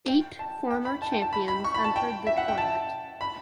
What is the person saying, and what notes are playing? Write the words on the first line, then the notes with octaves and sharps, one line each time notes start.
Eight former champions entered the tournament.
G5
A5
G5
B5
A5
G5
A5
B5
B5
C#6
B5
A5
G5
E5
F#5
G5
A5
B5